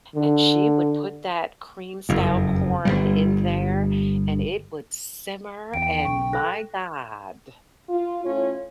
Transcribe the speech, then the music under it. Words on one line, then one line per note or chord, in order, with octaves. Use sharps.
and she would put that cream-style corn in there, and it would simmer, and my god.
D3
F#1 F2
G1 C#2 G3
E2 G5 D7
B1 C#6
A4 F#6 A#6
F4
A2 C#4 F4 C#5